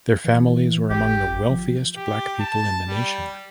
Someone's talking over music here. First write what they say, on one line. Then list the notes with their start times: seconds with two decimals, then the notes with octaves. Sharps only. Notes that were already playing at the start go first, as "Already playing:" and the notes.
Their family were among the wealthiest Black people in the nation.
0.24 E3
0.90 G#1 G4
1.50 F3
1.97 G4
2.39 A5
2.88 G3